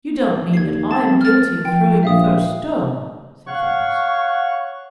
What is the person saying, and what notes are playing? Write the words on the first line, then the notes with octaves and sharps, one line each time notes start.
"You don't mean that I am guilty of throwing the first stone?" said Phineas.
D#2 G#6 C7
C4 A5 A6
F6 A6
F3 G5
A#1 E5 F5 D#6
C#5 F5 F#5 C#6